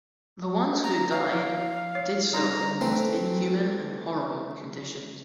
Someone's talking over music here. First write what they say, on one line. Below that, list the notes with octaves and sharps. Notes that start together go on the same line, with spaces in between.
The ones who died did so in the most inhuman and horrible conditions.
A#5
B4 C#5 F5
F3 E4
C#5
G3 D#4 A#5
E3 A3 C4